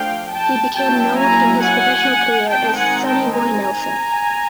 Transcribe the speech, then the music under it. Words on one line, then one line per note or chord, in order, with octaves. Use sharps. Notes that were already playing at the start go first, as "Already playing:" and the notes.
He became known in his professional career as Sonny Boy Nelson.
Already playing: F3 A3 D4 F5 G5
G5 A5
F#3 A#3 C#4 E4 G5 A5
G#5 A#5
F#5 G#5
D#3 G#3 C4 D#4 G5 A5
F#5 G#5
G5 A5
G#5 A#5